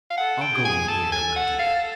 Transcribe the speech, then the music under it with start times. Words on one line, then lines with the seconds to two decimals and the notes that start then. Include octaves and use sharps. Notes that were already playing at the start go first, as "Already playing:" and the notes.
"I'll go in here, my dear."
0.10 F5
0.17 A4 F#5
0.41 G5
0.53 G#4
0.65 G#5
0.88 A4 A5
1.12 G#5
1.36 F#5
1.59 F5